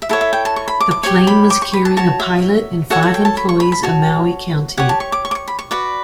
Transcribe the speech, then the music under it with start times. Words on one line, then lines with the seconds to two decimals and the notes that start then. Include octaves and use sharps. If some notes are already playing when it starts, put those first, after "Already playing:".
The plane was carrying a pilot and five employees of Maui County.
0.02 E5
0.09 E4 A4 C#5 F#5
0.21 E5
0.33 G5
0.45 A5
0.56 C#6
0.68 B5
0.81 D6
0.91 D6
1.03 G4 C#5 C#6
1.27 B5
1.50 D6
1.62 C#6
1.73 B5
1.85 A5
1.97 F#4 C#5 A5
2.20 E5
2.90 F#4 A4 C#5 F#5
3.03 F#5
3.14 G5
3.25 A5
3.37 B5
3.49 C#6
3.60 B5
3.72 B5
3.83 F#4 C#5 A5
4.77 G4 C#5 F#5
4.89 A5
5.00 C#6
5.12 D6
5.25 C#6
5.31 D6
5.35 C#6
5.48 B5
5.59 C#6
5.71 F#4 B4 D5